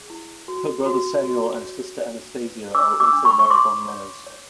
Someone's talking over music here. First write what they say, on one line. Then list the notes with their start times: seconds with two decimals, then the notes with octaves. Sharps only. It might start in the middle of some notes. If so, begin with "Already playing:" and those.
Her brother Samuel and sister Anastasia are also marathon runners.
Already playing: G#4
0.10 E4
0.48 F#4
0.86 F#4
1.24 F#4
1.61 C#5
1.99 D4
2.37 B4
2.75 D4 D6 E6
3.00 D6 E6
3.13 D4
3.25 B5 C#6
3.39 C#6
3.50 C#5 C6 D6
3.88 C#5
4.27 C#5